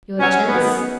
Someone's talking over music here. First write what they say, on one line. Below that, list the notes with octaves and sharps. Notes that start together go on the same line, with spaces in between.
You are jealous.
B2 F#3 C#4
G#2 D#3 F#3 B3